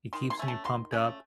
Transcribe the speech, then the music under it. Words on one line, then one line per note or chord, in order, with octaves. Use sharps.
It keeps me pumped up,
D#3 C6
C6
A3 C#4
A5
D#3 C6
A3 C#4